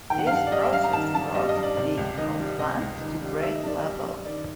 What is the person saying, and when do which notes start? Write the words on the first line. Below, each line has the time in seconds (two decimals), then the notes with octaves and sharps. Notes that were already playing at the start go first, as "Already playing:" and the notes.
This process brought the of land to grade level.
0.10 D#3 G5
0.19 F#5
0.27 F5
0.31 G2 F#5
0.47 D5
0.52 G3 D#5
0.62 E5
0.73 G2 F5
0.83 A#5
0.93 D#3 A5
1.14 G2 A5
1.35 G3 D#5
1.49 D#5
1.56 G2
1.63 D5
1.76 C3 D5
1.97 C#2
2.18 D#3 D#5
2.39 G3
2.59 C3 D#5
2.80 C#2
3.01 D#3
3.22 G3
3.43 D#3 E5
3.55 D#5
3.63 G2 D5
3.79 D#5
3.84 G3
4.05 G2
4.25 D#3 D5